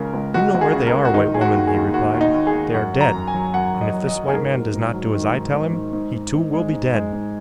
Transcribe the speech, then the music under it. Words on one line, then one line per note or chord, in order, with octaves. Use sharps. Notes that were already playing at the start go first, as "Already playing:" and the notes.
"You know where they are, white woman," he replied. "They are dead, and if this white man does not do as I tell him, he, too, will be dead."
Already playing: C#2 C#3 G#3 A#4
C#2
C#2 F#4
C#2
G#4
C#3
A#4
C#2
F#4
D#3 D#4
D#3 G#4
F#4
D#2
G#4
D#2
D#2 F#4
D#2
D#4
D#2
G#4
D#2
F#2 F#5
F#3
A#5
F#2
G#5
F#3
F#2 F#5
F#2
D#5
F#3
D#5
F#3
G#4
G#2 A#4
F#3
G#2
F#3
D#3
G#2
G#2
G#2
G#2
G#2
G#2
G#3
G#2
G#3
G#2